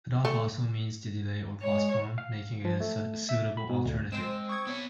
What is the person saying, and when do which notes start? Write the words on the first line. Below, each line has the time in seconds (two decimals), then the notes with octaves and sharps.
"Put off" also means to delay or postpone, making it a suitable alternative.
0.25 A3
1.62 G#3 C#5
2.18 F5
2.65 F3
2.80 A3
3.29 E5
3.57 B5
3.69 B2
3.85 D2
4.12 G#3 C4 C5 D7 E7
4.49 C#6 D#6 G#6
4.67 B3 C#5